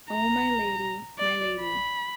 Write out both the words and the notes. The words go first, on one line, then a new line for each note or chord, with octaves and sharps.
Oh, my Lady, my Lady.
A#5
D5
B5